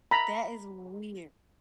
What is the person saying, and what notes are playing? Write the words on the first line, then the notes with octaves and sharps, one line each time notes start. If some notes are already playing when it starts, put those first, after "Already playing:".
That is weird.
A#5 B5